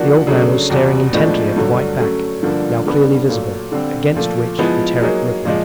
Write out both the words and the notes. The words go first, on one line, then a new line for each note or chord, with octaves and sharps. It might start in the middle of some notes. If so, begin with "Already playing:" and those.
The old man was staring intently at the white back, now clearly visible, against which the Terek rippled.
Already playing: F3 A#3 D4 F#4
C#3 F#3 A3 D4
E2 B2 G3
A2 F3 G#3 B3 D4
G2 D3 F#3 A3
F#3 A3 C#4
G2 D3 F3 A#3
G2 D3 G3 B3
A#2 F#3 A3
D3 G3 C4
A#2 F3 A3
F3 G#3 B3 E4 G#4
F#3 A#3 D#4 G#4
A#2 F3 G#3